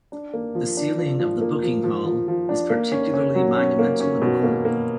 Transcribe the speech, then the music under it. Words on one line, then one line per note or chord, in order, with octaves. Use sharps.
The ceiling of the booking hall is particularly monumental and bold.
D4
A#3
F3
D4
F3
F3
A#3
F3
F3
F3
F3
D4
A#3
C#4
C#4
F#3
C#4
A#3
C#4
B2
A#3
A#3